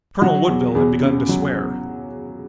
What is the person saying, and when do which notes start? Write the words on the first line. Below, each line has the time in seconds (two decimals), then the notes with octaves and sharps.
Colonel Woodville had begun to swear.
0.21 F#3 F#4
0.48 E2
0.75 E2 G#4
1.02 C#3
1.29 F#3
1.56 E2